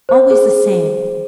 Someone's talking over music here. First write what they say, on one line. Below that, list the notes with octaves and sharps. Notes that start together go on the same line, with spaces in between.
Always the same.
C5
G#4